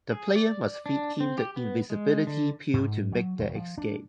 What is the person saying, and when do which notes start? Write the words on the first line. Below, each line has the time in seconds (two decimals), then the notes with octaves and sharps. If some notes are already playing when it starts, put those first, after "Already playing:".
The player must feed him the invisibility pill to make their escape.
0.11 G#4
0.36 D5
0.86 D4
1.20 C4
1.38 G4
1.56 B3
1.90 G#3
2.27 D3
2.73 G#2
3.12 F#3
3.39 E1
3.55 F3
3.78 D4